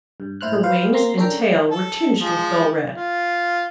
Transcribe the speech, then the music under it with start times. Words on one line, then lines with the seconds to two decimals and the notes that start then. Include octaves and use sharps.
Her wings and tail were tinged with dull red.
0.20 G2
0.41 A2 E4 C5 F6 F#6
0.63 F4 B4 C5 F5
0.93 A#3 C4 A#5 C6
1.18 C#4 D4 A4 A#4 G5 A#5
1.71 A4
2.19 F3 G#3
2.96 F4